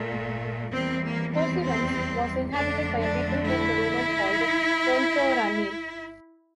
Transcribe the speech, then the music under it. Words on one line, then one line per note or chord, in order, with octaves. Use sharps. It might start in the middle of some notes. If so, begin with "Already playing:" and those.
Couserans was inhabited by a people whom the Romans called "Consoranni".
Already playing: A#2 A3
E2 E3 G3 A#3 C4
A#3
C4
C4
F2 D3 A3 D4
D4
E4